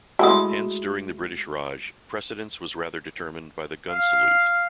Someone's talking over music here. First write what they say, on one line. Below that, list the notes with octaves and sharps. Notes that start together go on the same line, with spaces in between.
Hence during the British raj, precedence was rather determined by the gun salute.
G#3 A3 E4 F#4 D#6
F5